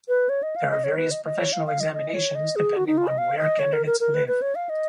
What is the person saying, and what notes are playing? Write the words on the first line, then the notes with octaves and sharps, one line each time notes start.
There are various professional examinations, depending on where candidates live.
B4
C#5
D#5
F5
D#5
C#5
B4
D#5
D#5
C#5
F5
F5
D#5
D#5
C#5
D#5
G#4
F#4
D#4
F4
D#5
F5
D#5
C#5
A#4
A#4
A#4
B4
B4
C#5
F5
D#5